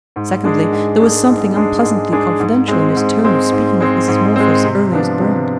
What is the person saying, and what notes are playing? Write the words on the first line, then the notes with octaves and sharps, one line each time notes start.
Secondly, there was something unpleasantly confidential in his tone of speaking of Mrs. Morpher's earliest born.
G#2
G#3 D4 G#4
G#2
G#3 D4 G#4
G#2
G#3 D4 G#4
G#2
G#3 D4 G#4
G#2
G#3 C4
G#2
G#3 C4
G#2
G#3 C4
G#2
G#3 C4
C3
F3 B3 D4
C3